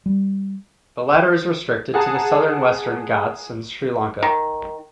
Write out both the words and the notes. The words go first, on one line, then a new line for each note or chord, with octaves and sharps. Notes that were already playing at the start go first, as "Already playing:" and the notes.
The latter is restricted to the southern Western Ghats and Sri Lanka.
G3
G#4 F#5 A5 A#5 D#6
D#3